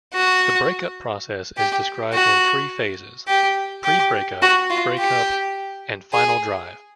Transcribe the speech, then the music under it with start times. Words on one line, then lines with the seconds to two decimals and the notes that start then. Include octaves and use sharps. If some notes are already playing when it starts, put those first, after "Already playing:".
The break-up process is described in three phases: pre-break-up, break-up and final drive.
0.14 F#4
1.57 G4
2.13 F#4
3.28 G4
3.84 G4
4.42 F#4
4.70 F4
4.98 G4
6.13 G#4